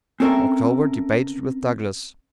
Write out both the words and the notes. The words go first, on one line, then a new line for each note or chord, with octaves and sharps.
October, debated with Douglas.
C4 C#4 A4 A#4 E5